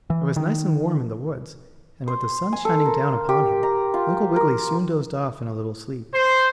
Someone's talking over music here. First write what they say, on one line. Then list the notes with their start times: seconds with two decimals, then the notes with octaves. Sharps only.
It was nice and warm in the woods, and, with the sun shining down upon him, Uncle Wiggily soon dozed off in a little sleep.
0.10 E3
0.36 D#3
2.08 C5
2.53 G#5
2.65 A4
2.86 A#4
3.09 F5
3.29 G4
3.63 A#5
3.94 F4
4.36 A#4
6.14 C5